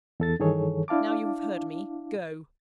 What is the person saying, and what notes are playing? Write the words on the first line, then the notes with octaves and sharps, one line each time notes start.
Now you have heard me, go!
E2 A4 A6
G2 D#3 E3 G#4 A4 C#5
D4 E4 F5 A5 D6